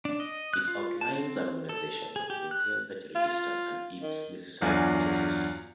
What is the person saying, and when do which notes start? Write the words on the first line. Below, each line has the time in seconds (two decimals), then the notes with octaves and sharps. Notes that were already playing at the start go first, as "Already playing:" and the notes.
It outlines an organisation that maintains such a register and its necessary processes.
0.05 D4
0.20 D#5
0.54 F#6
0.68 F4
1.01 A5
1.16 C4
1.69 A4
2.16 G#4
2.30 G4
2.51 F#6
3.15 F4
4.02 D#3
4.61 E2 G2 F#3 D4 F4 G#5